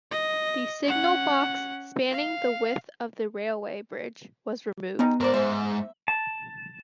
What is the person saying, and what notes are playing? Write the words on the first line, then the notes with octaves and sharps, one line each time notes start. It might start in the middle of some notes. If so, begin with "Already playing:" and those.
The signal box spanning the width of the railway bridge was removed.
D#5
C#4 F#5
F5
G3 G#3 B3 D#4
G#2 D3 A#4 C5 D5
G#2 C5 E5
A5